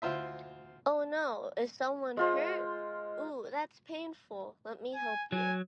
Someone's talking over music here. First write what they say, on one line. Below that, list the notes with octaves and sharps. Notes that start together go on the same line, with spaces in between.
Oh no, is someone hurt? Ooh, that's painful! Let me help you.
D2 E4 F4 C5 E5
G#3 F4 C5
G#5
F#3 G#5